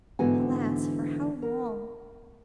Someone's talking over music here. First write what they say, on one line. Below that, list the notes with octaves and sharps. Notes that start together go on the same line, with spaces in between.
Alas! for how long!
G#2 D3 E3 B3 F#4 G#5
A#4